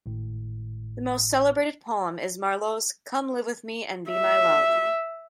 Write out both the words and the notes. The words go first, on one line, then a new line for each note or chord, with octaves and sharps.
The most celebrated poem is Marlowe's 'Come live with me and be my love'.
G#1 A2
E5